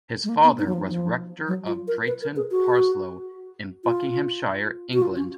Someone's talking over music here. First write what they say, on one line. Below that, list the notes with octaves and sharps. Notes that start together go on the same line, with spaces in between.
His father was Rector of Drayton Parslow in Buckinghamshire, England.
G#3
A#3
B3
D#4
F#3
F3
F3
F#3
F4
A#4
B4
A#4
G#4
F#4
F4
F#4
F4
C#4